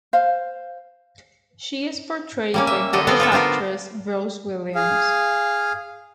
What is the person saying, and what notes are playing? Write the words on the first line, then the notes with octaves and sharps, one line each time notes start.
She is portrayed by British actress Rose Williams.
C5 F5
G3 A#3 C#4
E5
D3 F#3 D4 G4 D#5
B3 F#4 A4 F5 G5
F4 A4 E5
B3 D4 F4 A#4 C5
G#4 F5